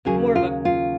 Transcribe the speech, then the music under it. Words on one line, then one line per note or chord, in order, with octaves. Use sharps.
more of a
D#2 C#3 F#3 G#4
F4
F4